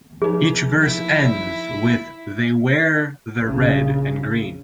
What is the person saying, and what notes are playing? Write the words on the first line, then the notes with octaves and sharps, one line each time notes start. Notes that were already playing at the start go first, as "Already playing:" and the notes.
Each verse ends with, "They wear the Red and Green".
F3 D#4 G#4
E4
A#1 C#3